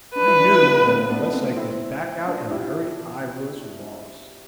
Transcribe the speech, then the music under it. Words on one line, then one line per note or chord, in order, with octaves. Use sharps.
I knew that unless I could back out in a hurry, I was lost.
D4 B4
E4
D4
E4
B3 D4
A3 C4
B3 D4
A3 C4
C4 E4
D4 F4
E4 G4